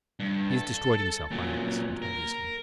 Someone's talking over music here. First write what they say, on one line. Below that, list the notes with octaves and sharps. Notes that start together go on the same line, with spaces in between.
He has destroyed himself by an accident, obviously.
G2
A4
A#2 F#3
A#4